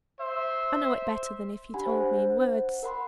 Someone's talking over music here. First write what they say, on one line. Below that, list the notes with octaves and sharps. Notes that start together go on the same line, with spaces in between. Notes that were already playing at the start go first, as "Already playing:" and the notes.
I know it better than if you told me in words.
C5 E5
D4 G4 F#5 G#5 B5
C5 F#5
A#4 F#5 B5 C6